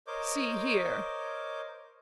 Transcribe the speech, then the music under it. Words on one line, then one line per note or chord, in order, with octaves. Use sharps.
"See here."
A#4 C5 C#5 D#5 D6 G6